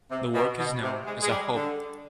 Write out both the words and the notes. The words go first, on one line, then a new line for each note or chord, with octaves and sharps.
The work is known as "Akhob".
C3
B2
B2
C3
G#3
G#3
G3
D3